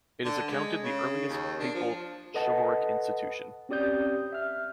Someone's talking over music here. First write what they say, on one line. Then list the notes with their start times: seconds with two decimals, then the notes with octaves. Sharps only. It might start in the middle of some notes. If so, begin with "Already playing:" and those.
It is accounted the earliest papal chivalric institution.
0.25 D3
0.51 G#3
0.82 C#3
1.28 D#2
1.59 D4
1.74 F3
2.34 A4 B4 D#5 F#5 A5
3.69 C4 C#4 G4 D5 D#6 G6
4.33 E5 F6